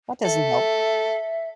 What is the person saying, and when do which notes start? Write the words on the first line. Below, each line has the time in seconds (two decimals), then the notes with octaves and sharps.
That doesn't help.
0.25 A4 E5